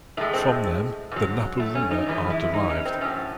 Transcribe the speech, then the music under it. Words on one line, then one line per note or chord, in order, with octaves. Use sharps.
From them the Napo-runa are derived.
A2 G#3 A3
C4
G#2 F#3
A3
C#4
D#4
F#2 E3 G#3
E4
D#4
C#4
C4
A2 F#3 C#4